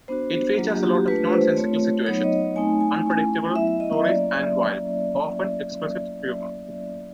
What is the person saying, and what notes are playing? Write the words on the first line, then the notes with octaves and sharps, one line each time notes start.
It features a lot of nonsensical situations, unpredictable stories and wild, often explicit humour.
B3 D4 F#4 C5
F#3 A#3 D4 F4
G4
F#4
G4
A3 D4 F4 B4
C5
A3 C4 F4 C#5
F#3 B3 D#4 C#5
D#5
A3 C4 D#4 G#5
G#5
A3 C#4 E4
F#3 B3 E4 E5
E5
D#5
E5
F#3 A#3 C#4 D5